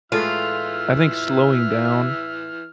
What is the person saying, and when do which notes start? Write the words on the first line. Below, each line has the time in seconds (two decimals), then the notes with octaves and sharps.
I think slowing down
0.12 A2 E3 G#3 A3 F4 E5 F6